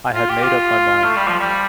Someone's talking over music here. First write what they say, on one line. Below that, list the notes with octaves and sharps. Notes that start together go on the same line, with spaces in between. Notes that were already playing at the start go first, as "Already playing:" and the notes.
I had made up my mind.
F4
G4
F4
A3
G3
F3
G3